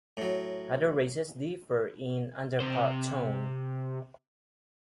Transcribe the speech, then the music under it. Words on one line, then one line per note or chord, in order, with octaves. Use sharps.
Other races differ in underpart tone.
A2 F#3
C3 C5